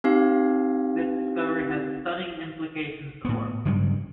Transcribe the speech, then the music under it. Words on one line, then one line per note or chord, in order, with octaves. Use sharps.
This discovery has stunning implications for the world.
C4 D#4 G4 F5
A2 B3
G2 C#3 F#3 G3